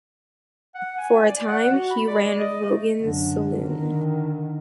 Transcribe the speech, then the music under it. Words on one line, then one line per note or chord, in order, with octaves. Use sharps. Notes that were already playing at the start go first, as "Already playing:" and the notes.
For a time he ran Vogan's Saloon.
F#5
G#5
D5
F#5
F#4
B5
D5
D#5
A3
F#2 D3
D3 D#3